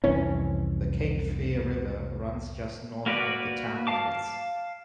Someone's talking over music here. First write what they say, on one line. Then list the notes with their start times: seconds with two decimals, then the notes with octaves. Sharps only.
The Cape Fear River runs just north of the town limits.
0.04 C2 F2 E3 C#4
3.06 A#3 F#4 B4 D5
3.87 F5 A5 D6